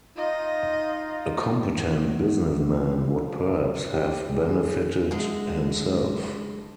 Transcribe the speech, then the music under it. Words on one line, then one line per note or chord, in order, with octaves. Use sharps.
A competent business-man would perhaps have benefited himself.
D#4 F4 D#5
E2
F3
C3
G4
G#4
D3 G#3